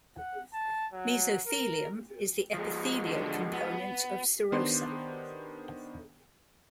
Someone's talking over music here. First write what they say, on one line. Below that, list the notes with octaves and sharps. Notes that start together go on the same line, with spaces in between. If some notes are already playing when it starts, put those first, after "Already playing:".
Mesothelium is the epithelial component of serosa.
F#5
A5
F#3
A#4
F3 G#3
D3
B3
D#3 B3 D4 G4 C5 C6